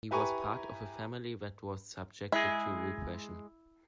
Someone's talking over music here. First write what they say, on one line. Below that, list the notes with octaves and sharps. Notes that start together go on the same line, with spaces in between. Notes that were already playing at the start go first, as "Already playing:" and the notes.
He was part of a family that was subjected to repression.
E4 G4 B4 G#5 A#5 C#6
G#3 E4 G#4